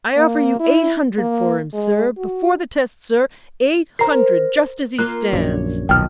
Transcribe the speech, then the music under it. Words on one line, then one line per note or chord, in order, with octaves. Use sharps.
"I offer you eight hundred for him, sir, before the test, sir; eight hundred just as he stands."
A#3
E4
A#3
G#3
F#4
A#4 C5 A#5 C7
A#3 F4 F#6
A#1 F#2 C#5 D5
D#1 B1 D#3 F3 G5 F6